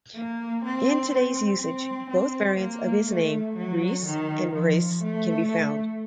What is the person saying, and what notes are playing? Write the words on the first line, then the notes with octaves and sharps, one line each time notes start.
In today's usage, both variants of his name, "Ries" and "Riese" can be found.
A#3
C4
C4
C4
C4
A#3
A3
F#3
D#3
F3
A3